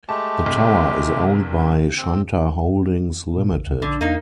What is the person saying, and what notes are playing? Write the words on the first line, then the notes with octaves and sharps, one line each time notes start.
The tower is owned by Shanta Holdings Limited.
G#3 A3 G4 A5
C2
G2
C4
A#2
A1
D2
A#1 D3
E2 A#3 D#4